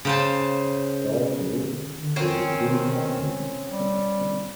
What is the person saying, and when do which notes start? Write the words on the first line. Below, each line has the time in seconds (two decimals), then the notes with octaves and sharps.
Carl Smith was the team captain.
0.05 C#3 C5 A5
2.16 D#3 C4 C#4
3.69 G3